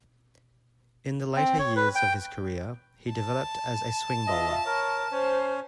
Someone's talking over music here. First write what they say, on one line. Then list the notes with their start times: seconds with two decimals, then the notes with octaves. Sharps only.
In the later years of his career, he developed as a swing bowler.
1.36 C4
1.59 C#5
1.76 B4
1.95 G5
3.10 A5
4.27 F4 D#5 E5
4.66 A#4 C#5
5.12 C#4 C5